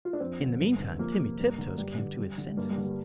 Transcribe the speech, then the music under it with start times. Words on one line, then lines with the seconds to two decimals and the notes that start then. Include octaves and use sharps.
In the meantime Timmy Tiptoes came to his senses.
0.05 F4
0.13 D4
0.20 F2 C4
0.40 D3
0.60 G2
0.80 D3
0.99 F2 A#3
1.20 C3
1.39 G2
1.58 D3
1.78 G2 G3
1.98 D3
2.18 G2
2.38 D3
2.57 G2 A#3
2.70 G3
2.77 D3
2.84 G3